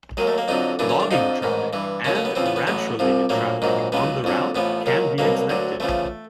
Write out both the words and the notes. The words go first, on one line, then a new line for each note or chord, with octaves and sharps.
Logging traffic and ranch-related traffic on the route can be expected.
D#2 D#3 F#3 G#3
A3
A#3
F2 D3 F#3 D#4
F#2 C#3 E3 D4
C#4
D4
F2 D3 F3 D#4
A1 G#2 D#3
G2 E3
D#2 C#3 F#3 C#4
C#4
B3
E2 C#3 F3 C4
B3
B3
A1 A2 F#3 B3
C2 C3 F3
A#1 A2 F#3 A#3
A#1 G#2 D#3 F#3
C#2 C#3 F#3 B3
F2 D3 F#3
A1 A2 F3 B3
D#2 D#3 F#3
C2 B2 F#3 A#3
D2 D3 F#3
E2 C#3 F3 A3